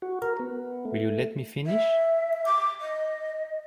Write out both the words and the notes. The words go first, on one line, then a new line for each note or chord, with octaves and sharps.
Will you let me finish?
F#4
A#4
B3
A3
E5
D6
D#5